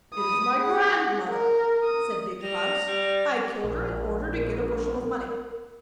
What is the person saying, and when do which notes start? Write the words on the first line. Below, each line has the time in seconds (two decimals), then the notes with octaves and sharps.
'It is my grandmother,' said Big Klaus. 'I killed her in order to get a bushel of money.'
0.14 B5 D#6
0.58 G#4 F#5
1.29 A#4
1.83 D#6
2.42 G3 A#6 F7
2.87 G3
3.64 A#1 A#4